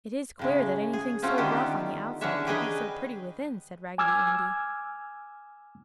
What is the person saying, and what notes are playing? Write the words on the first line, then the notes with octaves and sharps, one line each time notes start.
"It is queer that anything so rough on the outside could be so pretty within!" said Raggedy Andy.
A2 C#3 G#3
G#4
A3 C4 C#4 F4 F#4
D3 D#3 B3 G4
D3 E3 C#4 D4 C#5 E5
G4 G#4 B4 D#5 G#5 A#5
G#5 D6 E6 F6 G#6